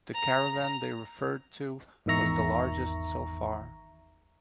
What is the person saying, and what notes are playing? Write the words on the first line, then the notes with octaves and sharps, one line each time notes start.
The caravan they referred to was the largest so far.
A#5
G#1 E2 D#3 E5 A#5 C#6